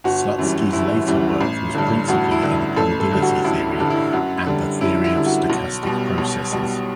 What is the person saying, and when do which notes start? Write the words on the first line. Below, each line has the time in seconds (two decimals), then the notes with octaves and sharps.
Slutsky's later work was principally in probability theory and the theory of stochastic processes.
0.04 G1 F#4
0.38 F#2 E3 G3
0.73 G1 E4
1.07 F#2 E3 G3
1.41 A1
1.75 G2 D3
2.08 A1 F#4
2.31 E4
2.43 G2 D3
2.76 A1 A4
3.00 A4
3.11 G2 D3 G3
3.22 F#4
3.44 A1 E4
3.79 G2 D3 G3
3.90 E4
4.13 F#2 F#4
4.47 D3 G3
4.81 F#2 E4
5.04 E4
5.15 D3 G3
5.26 F#4
5.50 B1
5.83 B2 G3
6.18 B1
6.52 B2 G3